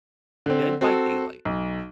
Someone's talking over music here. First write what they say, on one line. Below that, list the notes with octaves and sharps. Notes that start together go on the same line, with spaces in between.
Dead by Daylight.
D3 C4
C4 F#4 A4
B1